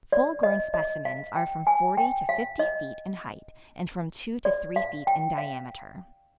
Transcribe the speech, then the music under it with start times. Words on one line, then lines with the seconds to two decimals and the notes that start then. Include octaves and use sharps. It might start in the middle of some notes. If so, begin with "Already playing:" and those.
Full-grown specimens are from forty to fifty feet in height and from two to three feet in diameter.
0.12 D5
0.43 D#5
0.74 D#5
1.05 F5
1.36 G5
1.67 G#5
1.97 G5
2.29 F5
2.59 D#5
4.45 D5
4.76 F5
5.07 G5
5.38 F5